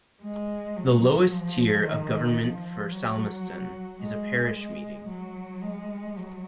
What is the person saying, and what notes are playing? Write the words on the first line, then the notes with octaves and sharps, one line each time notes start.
The lowest tier of government for Selmeston is a Parish meeting.
G#3
F#3
F3
D#3
F3
F#3
G#3
G#3
F#3
G#3
F#3